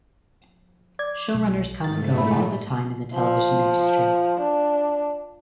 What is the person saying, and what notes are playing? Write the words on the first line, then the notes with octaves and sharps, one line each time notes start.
Showrunners come and go all the time in the television industry.
D5 G#6
B1
G#2 A3 A6
A#2 E4 B5
F3
D4